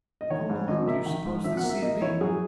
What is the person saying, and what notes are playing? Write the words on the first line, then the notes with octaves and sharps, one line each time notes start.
"How long do you suppose this sea to be?"
D#5
D#3 C#5
G#2
G#1 D#5
A#3 E5
D#3
G#2
G#1 E5
F#5
A#3
E5
A#3 D#5
E3 C#5
F#2 G#4